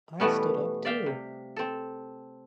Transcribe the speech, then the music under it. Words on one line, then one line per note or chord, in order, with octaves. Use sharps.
I stood up too.
B2 E3 G3 A3 B3 C#4
D5 E5 F5 G5
C3
C4 A4